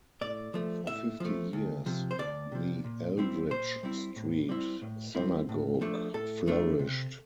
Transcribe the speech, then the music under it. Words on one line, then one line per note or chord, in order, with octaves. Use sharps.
For fifty years, the Eldridge Street Synagogue flourished.
A2 D5
F3 A3
A2 E5
F3 A3
D2
C3 F3
C5
D2 D5
C3 F3
A#2
G3 C4 E4
A#2 C5
G3 C4 E4
A2
G3 C4 E4
A2
G3 C4 E4
A2
F3 A3 D4
A2 A4
F3 A3 D4
C3